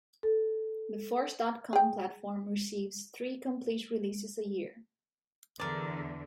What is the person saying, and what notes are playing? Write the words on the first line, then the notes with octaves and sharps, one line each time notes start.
The Force dot com platform receives three complete releases a year.
A4
G#4 G5
E2 D3 A#4 D5